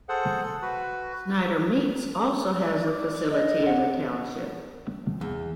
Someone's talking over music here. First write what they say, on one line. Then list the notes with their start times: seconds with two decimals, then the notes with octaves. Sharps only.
Schneider Meats also has a facility in the Township.
0.09 G#4 A4 C5 F#5
0.43 A4
0.62 F#4 B4
2.60 D5
2.87 D6
3.31 D#5
3.67 F#5
5.21 E2